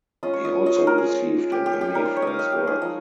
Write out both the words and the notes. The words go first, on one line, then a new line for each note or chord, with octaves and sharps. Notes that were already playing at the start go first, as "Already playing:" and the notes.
He also received an Emmy for his work.
G#3 C#4 F4 D#5
C#5
D#5
D#5
C5
A#4
G#4
G#3 C#4 F4
G4
G4
G#4
G4
G3 A#3 D#4 A#4
C5
C#5
D#5 F5
D#5
G4
G#4
F3 G#3 D#4 D#5